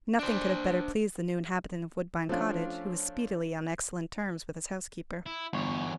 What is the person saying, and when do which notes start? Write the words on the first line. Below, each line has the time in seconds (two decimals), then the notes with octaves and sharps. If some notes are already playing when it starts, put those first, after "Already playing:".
Nothing could have better pleased the new inhabitant of Woodbine Cottage, who was speedily on excellent terms with his housekeeper.
0.19 D4 C5
2.29 F3 A3 C#4 D4 F4
5.26 E4
5.53 G1 E2 C#5